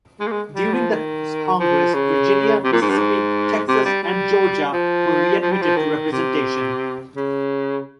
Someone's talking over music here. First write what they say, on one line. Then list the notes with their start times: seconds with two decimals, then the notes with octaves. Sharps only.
During this Congress, Virginia, Mississippi, Texas, and Georgia were readmitted to representation.
0.20 G#3
0.27 A#3
0.31 G#3
0.55 G3
0.73 F3
0.90 D#3
1.60 F3
1.94 C#3
2.64 C3
2.72 A#2
2.81 G#2
2.90 G2
2.98 G#2
3.68 C3
3.85 G3
4.03 G3
4.73 F3
5.42 F3
5.52 G3
5.61 F3
5.76 D#3
6.12 C3
7.16 C#3